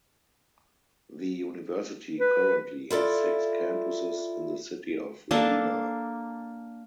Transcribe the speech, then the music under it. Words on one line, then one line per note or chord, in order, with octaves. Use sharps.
The university currently has six campuses in the city of Lima.
B4
E4 F4 A4 D5
A#3 D4 A4